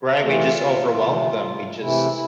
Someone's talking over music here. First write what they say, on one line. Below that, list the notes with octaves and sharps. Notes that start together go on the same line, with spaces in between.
Right, we just overwhelmed them, we just
C3 E3 A3 F4
C3 E3 A3
C3 E3 A3 E4